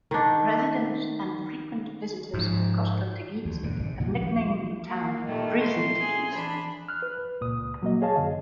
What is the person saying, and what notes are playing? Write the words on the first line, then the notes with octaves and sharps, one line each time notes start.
Residents and frequent visitors of Costa Teguise have nicknamed the town "Breezy Teguise".
D#3 D4
G#2 F3
D2
D#1 G#2 D3
G1 C3
A#1 D#2 F3
F3
A#3
A#2 D#3 G3 A3
C6
G#4
E3 D4 B5
F6 F#6
B4
C#2 A#2 D#6
F#3 A#3 D#5
G#4 C#5 D#5 F5 A5
F#2 D3